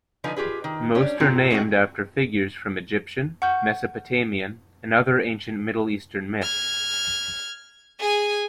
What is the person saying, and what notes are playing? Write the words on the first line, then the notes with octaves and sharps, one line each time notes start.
Most are named after figures from Egyptian, Mesopotamian, and other ancient Middle Eastern myths.
D3 F3 D#4 B4 G#5
F4 G4 G#4 B4
D#3
G3 C#4 D4
A#2 C4 F4 G#4 G5 A5
A2 G#3 C4 C#4 F#4 G#4
F#5 C#6 F6 G6
F6 G#6
G#4 G#5